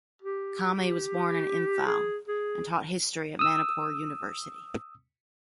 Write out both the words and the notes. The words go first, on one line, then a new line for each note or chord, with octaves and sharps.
Kamei was born in Imphal, and taught history at Manipur University.
G4
G#4
G#4
D#6 E6